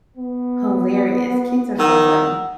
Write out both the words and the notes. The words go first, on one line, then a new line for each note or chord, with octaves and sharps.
Hilarious, kids are so funny.
B3
D#3 F#5 A#5 E6